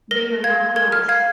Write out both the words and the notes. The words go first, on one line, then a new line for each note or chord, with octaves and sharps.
They are not for us.
A#4 A#6
F5 G#6
A#4 G#6
F6
F5 G#6